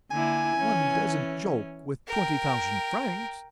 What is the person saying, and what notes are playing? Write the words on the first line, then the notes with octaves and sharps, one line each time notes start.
"One doesn't joke with twenty-thousand francs."
D3 A#3 E4 G#5
E3 C#4
A#4 G5